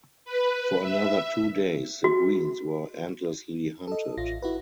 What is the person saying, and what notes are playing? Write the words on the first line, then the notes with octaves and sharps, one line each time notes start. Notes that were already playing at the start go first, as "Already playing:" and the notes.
For another two days the greens were endlessly hunted.
B4
E5
F#4
A4 D#5
A1 F4 A#6
E4 F#4 B4